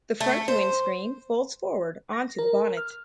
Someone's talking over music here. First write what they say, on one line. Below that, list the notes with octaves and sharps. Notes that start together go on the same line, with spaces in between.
The front windscreen folds forward onto the bonnet.
A3
C5
A#6
A#4
F6